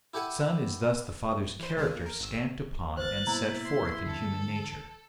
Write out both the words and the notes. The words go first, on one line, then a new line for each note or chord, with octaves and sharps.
The Son is thus the Father's character stamped upon and set forth in human nature.
E4 G4 A4 F#5 G#5
E3 C5
A1 C#3 G#3
A#2
A#4
G#1 E6
G#1 D#3 B4 C5 F#6 A6
B2 A#3 B3 E4 A#5
C6
D3 E3 G3 A4